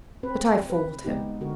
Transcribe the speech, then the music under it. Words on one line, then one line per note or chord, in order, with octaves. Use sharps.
But I fooled him.
C4 B4
B4
G#3 B3 D#4 G4
D3 F#4 A#4